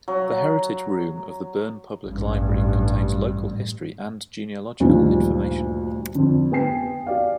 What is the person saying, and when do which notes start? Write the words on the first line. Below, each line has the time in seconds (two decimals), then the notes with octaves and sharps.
The Heritage Room of the Berne Public Library contains local history and genealogical information.
0.08 F#3
2.04 A1 G2
4.80 D2 G2 A#2 D#3 F3 D4
6.15 F2 D3
6.52 B3 G5 G#5 C7
7.07 F#4 D5 F5